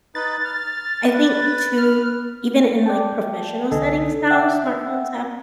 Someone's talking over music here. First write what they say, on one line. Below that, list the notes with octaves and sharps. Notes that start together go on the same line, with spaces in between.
I think, too, even in, like, professional settings now, smartphones have,
D#4 B4 A6
F6
B4
F6
D5 G5 A5
C2 D3 A4 D#5 G#5
E5 F#5 G5 E6